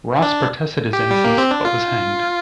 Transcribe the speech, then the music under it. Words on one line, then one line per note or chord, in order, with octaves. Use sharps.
Ross protested his innocence but was hanged.
D4
G4
G3
A#3
C4
D4
F4